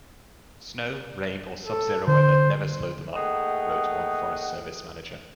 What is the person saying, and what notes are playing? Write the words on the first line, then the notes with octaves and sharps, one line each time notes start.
'Snow, rain, or sub-zero weather never slowed them up,' wrote one Forest Service manager.
A4
D3 C5
A3 A#3 D#4 G#4 F#5 G5